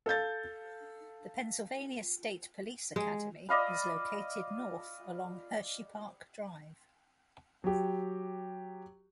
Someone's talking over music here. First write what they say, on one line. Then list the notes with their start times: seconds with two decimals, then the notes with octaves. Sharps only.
The Pennsylvania State Police Academy is located north along Hersheypark Drive.
0.06 A4 F5 G6 A6
2.96 G#3
3.49 D5 D#5 F5 B5
7.64 F#3 G4